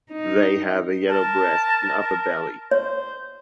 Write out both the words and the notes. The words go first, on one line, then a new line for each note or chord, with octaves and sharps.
They have a yellow breast and upper belly.
D#4
A#4 A5
C5 C#5